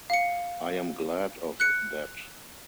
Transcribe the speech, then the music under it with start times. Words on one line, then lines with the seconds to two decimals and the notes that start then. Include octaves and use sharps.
I am glad of that!
0.10 F5 C#7
1.60 F#6 C#7